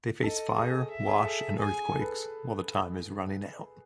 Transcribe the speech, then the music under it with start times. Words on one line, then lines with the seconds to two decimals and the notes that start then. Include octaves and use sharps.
They face fire, wash and earthquakes while the time is running out.
0.24 A4 D#5
0.57 G#4 D#5
0.91 E5
1.08 G#4
1.24 A4
1.58 G#4 G#5
1.92 A4
2.00 B4